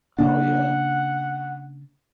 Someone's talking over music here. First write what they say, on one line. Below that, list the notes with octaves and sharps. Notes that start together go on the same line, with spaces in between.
Oh, yeah.
C#3 A#3 D4 F#5